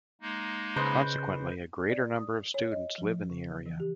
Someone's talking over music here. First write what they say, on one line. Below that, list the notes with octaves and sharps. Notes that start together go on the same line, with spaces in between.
Consequently a great number of students live in the area.
G#3 A#3 D#4
C#3 B4 C5 D#5
D5
D#6
C#5
D#5
F3
C#3
E3
G4